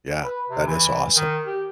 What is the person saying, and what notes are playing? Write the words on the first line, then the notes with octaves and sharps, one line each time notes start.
Yeah, that is awesome.
B4
C3
E3
D#3
G4